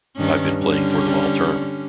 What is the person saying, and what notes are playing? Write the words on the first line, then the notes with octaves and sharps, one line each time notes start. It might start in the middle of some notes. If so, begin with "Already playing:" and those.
I've been playing for them all term.
G2 D#3 C#4
D3 G3 C#4